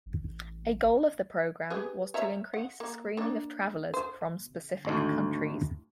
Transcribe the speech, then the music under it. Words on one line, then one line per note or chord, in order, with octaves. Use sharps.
A goal of the program was to increase screening of travelers from specific countries.
A1
G4 G#4 B4
C#5 E5 A#5
F#5
A#3
A#3 D4
C5
G#1 D2